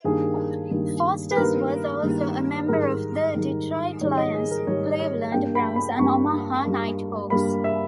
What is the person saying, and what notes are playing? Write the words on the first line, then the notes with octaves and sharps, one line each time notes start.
Foster was also a member of the Detroit Lions, Cleveland Browns and Omaha Nighthawks.
G2 D#3 G3 A#3 G#4
G2 D#3 G3 A#3
B4
G2 D#3 G3 A#3 A#4
G2 D#3 G3 A#3
G#2 D#3 G3 A#4
G#2 D#3 G3
G#2 D#3 G3 C#5
D#5
G#4
A#4
G#2 D#3 G3 C#5
C#5
G2 G3 A#3 G5
B5
B5
G2 G3 A#3 C#6
G2 G3 A#3
G2 G3 A#3 B5
E5